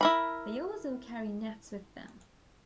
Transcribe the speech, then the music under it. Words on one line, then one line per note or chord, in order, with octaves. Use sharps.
They also carry nets with them.
E4 A#4 B5